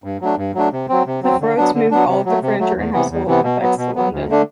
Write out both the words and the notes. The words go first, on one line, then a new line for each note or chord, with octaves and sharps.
The Freuds moved all their furniture and household effects to London.
G2
F#3 A3 D4
G2
F#3 A3 D4
C3
F#3 C4
C3
F#3 C4
D3
F#3 B3 D4
D3
F#3 B3 D4
C3
F#3 A3
C3
F#3 A3
E2
C3 E3 B3
E2
C3 E3 B3
B2
F#3 B3
B2
F#3 B3
D2
D3 A3 D4